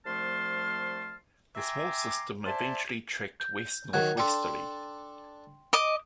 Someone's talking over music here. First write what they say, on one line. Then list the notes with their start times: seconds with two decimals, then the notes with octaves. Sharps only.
The small system eventually trekked west-northwesterly.
0.06 C2 F3 A3 A5 C6 F6
1.56 E5 G5 G#5 A#5 C6 D6
2.46 C5 D5 E5 G#5 A5
3.40 G6
3.93 D#3 F#3 F#5 F#6 G#6
4.17 D4 A4 G5 C6
5.73 D#5 D6